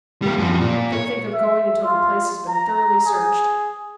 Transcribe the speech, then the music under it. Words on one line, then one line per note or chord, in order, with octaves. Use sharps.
Don't think of going until the place has been thoroughly searched.
G3 A#3
F#2 F3
A#2
C#5
E5
F4
A#5
G#4